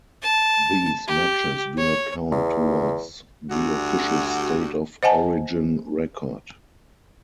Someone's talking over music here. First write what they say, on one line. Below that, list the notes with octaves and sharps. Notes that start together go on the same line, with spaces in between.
These matches do not count towards the official state of origin record.
A5
G4
C#5
E2
D2 G3 F#4
C5 D#5 F#5 G#5 A5